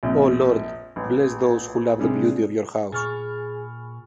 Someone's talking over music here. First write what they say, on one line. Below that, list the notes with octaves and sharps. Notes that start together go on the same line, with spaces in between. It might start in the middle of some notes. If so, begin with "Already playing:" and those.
O Lord, bless those who love the beauty of your house.
A#1 F2
A1
C3 G3 G#3 D4
A#2 G#4 G#5 B5 C#6 F6 A6